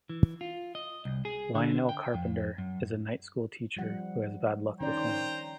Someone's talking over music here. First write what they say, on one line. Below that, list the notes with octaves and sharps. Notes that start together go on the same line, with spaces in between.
Lionel Carpenter is a night-school teacher who has bad luck with women.
E3
F4
D#5
C2
G#4
D3
G5
F2
F#2
F3 G3 F#5
D#3 C#4 C5 D5 G5 A#5